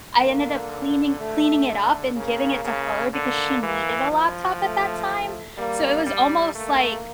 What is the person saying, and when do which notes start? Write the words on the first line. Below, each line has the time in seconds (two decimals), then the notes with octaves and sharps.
I ended up cleaning cleaning it up and giving it to her because she needed a laptop at that time. So, it was almost, like,
0.21 D3 A#3
1.18 A3
1.67 D3
2.15 C#3 A#3
2.64 C#3
3.13 D3 A#3
3.63 E3
4.11 F3
4.60 A3
5.58 G3 A#3
6.06 G3
6.55 A3 A#3